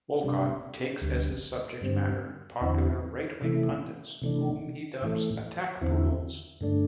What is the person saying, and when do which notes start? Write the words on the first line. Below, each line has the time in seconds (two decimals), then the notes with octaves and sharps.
Wolcott takes as his subject matter popular right-wing pundits whom he dubs "attack poodles".
0.21 C3 G3 D4
1.02 D2 D3 G3
1.81 G2 D3 G3 C4
2.61 E2 D3 C4 E4
3.41 C3 E3 A3 E4
4.22 C3 E3 A3 D4
5.02 A2 E3 A3
5.81 E2 D3 C4 E4
6.61 G2 D3 A3 D4